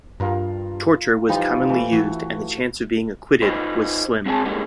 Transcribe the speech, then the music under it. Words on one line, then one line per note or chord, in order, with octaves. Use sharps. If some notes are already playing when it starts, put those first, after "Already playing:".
Torture was commonly used and the chance of being acquitted was slim.
G2 F4 A#4
E3 F3 G3 D#4
E3 A3
E3 F#4
D#4 F4 B4 C5 D#5
G#3 C4 G#4 C#5 G#5 A5
A2 G3 G#3 A#3 C#4 D#4